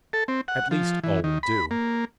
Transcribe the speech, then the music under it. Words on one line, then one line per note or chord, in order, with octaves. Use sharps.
At least all will do.
A4
C4
F#5
F3
E3
D#3
B5
A#3